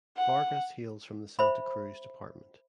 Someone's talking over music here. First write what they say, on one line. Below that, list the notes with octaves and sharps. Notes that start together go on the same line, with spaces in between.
Vargas hails from the Santa Cruz Department.
F#5
C5 E5 B5